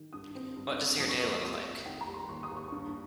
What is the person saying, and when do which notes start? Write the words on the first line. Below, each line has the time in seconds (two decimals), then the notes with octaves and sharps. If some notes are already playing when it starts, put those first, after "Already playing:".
What does your day look like?
Already playing: D#3
0.13 G2 D#6
0.35 C4
0.56 G2
0.77 C4
0.99 F2 D#6
1.09 C#6
1.19 A#3 D#6
1.42 F1
1.64 A#3
1.86 D#3 G5
2.01 A#5
2.07 G3
2.14 C6
2.29 D#2 C#6
2.43 D#6
2.51 D#2
2.57 C#6
2.72 G2